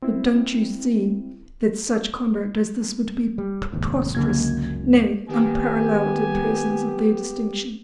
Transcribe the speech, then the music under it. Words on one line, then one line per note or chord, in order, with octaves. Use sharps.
But don't you see that such conduct as this would be preposterous, nay, unparalleled in persons of their distinction?
C4 E4
G3
F1 D#2 G#2
C#2 F#2 D3 A#3 G#6
D#3 A#3 B3 G4 G#5